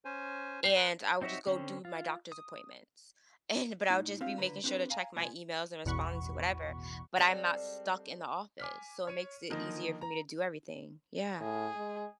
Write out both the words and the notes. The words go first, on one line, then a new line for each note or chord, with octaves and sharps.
and I would just go do my doctor's appointments, and but I would just be making sure to check my emails and responding to whatever, but I'm not stuck in the office, so, it makes it easier for me to do everything, yeah.
C#4 C5 G#5
G5 C7
B4
C4 D#4 F#4 C#5 E5
D3 C4 C#4
F4
D#6
A2 D#4
C4 D4 F4 G4 F5
C#2 D3 B4 A#5
C4 D4 G4 B4
F5 G#5 A#5
C2 B3 F4 G#5
A1 E2 B2 F#5 B5 C#6
G3 G#3 C4 A4
G#5 D6 F6 B6
C#5 C#6 C#7 D#7
D3 D#3 F3 A#3 D#4
A#5
A2 G#4
G#3